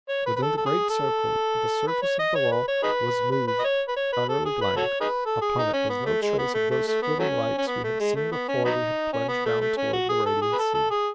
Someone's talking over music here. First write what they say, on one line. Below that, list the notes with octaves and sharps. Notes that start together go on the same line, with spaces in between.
Within the great circle the surface of the wall was smooth, utterly blank; upon it was no trace of those flitting lights we had seen before we had plunged down toward the radiant sea.
C#5
B4
B4
A4
A4
G#4
A4
B4
C#5
D#5
C#5
B4
C#5
D#4 G#4 B4
B4
B4
D#5
C#5
B4
C#5
B4
A4
G#4
B4
F#4 A4 C#5
D#4 G#4 B4
A4
G#4
D#4
C#4
B3
A3
G#3
B3
A3
A3
A3
B3
F#3 A3 C#4
C#4
B3
A3
G#3
A3
B3
C#4
F#3 B3 D#4
C#4
B3
A3
A3
C#4
F#4
G#4
A4
G#4
B4
A4
A4
G#4